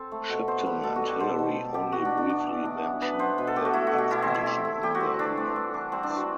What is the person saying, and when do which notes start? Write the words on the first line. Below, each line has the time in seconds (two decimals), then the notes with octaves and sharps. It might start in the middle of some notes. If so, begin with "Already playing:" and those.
Shipton and Hillary only briefly mention the expedition in their memoirs.
Already playing: C4 A4
0.12 A3
0.29 B2
0.47 B3 C5
0.66 G3 B4
0.83 B2 A4
0.96 F#4
1.02 G3
1.08 G4
1.20 B2 C5
1.39 B2
1.57 B3
1.74 B2 G4
1.92 E3 F#4
2.05 D4
2.10 E3
2.17 D4
2.29 B3 D4
2.47 E3
2.65 B3
2.84 E3
3.01 B3 B4
3.19 B3 C5
3.38 B2 B4
3.47 A4
3.55 A3 G4
3.65 F#4
3.74 A3 E4
3.87 B2 F#4
3.98 G4
4.10 B2 E4
4.22 C4
4.28 B2
4.35 E4
4.46 C4
4.65 A3
4.83 G3 G4
4.95 F#4
5.00 C4
5.19 E3 D4
5.37 C4
5.56 E3
5.74 E3
5.92 G3 C4
6.03 D4
6.10 E3
6.16 F#4